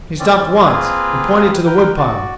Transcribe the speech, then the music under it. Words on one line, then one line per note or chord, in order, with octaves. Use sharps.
He stopped once, and pointed to the wood pile.
E3 C4 C#4 D5
A#3 C4 F4 G#4 B4
A#4 B4 G5
F#4 D5